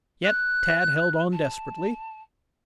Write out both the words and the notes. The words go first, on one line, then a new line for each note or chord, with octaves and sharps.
Yet Tad held on desperately.
F#6
A5